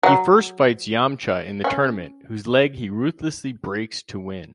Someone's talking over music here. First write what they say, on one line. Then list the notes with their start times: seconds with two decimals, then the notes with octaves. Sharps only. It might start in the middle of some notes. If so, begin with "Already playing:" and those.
He first fights Yamcha in the tournament, whose leg he ruthlessly breaks to win.
0.03 F#3
1.64 C#4